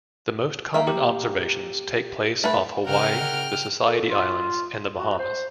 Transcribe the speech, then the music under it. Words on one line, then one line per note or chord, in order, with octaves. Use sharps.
The most common observations take place off Hawaii, the Society Islands, and the Bahamas.
A#3 E5
G4
A3 B4
C#3 A#4 F#5 G5 F6
A4
F4
F#4
C5